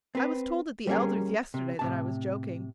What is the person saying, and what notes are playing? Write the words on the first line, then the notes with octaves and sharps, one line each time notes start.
I was told at the elder's yesterday that I was joking.
C4 B4
G3 A#3 C#4 G#4 A#4
C3
A2 C3 A5